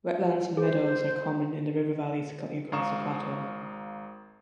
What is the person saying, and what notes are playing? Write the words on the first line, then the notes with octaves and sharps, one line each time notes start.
Wetlands and meadows are common in the river valleys cutting across the plateau.
G#4 C5
G#1 F5 A#5 C#6 D#6 E7